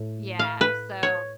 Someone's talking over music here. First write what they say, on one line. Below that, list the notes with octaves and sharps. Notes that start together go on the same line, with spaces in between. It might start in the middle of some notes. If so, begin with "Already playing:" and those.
Yeah, so
Already playing: A2
F5
B4
C#5